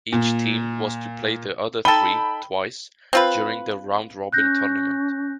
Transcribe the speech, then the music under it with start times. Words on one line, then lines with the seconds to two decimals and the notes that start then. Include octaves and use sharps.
Each team was to play the other three twice during the round robin tournament.
0.13 A#2
1.85 D#4 A4 G5 B5 G7
3.13 C4 F4 B4
4.33 C#4 F#6 G6 A#6